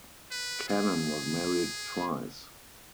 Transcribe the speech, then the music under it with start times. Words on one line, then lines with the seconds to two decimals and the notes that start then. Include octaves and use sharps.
Cannon was married twice.
0.31 B4
0.69 G#4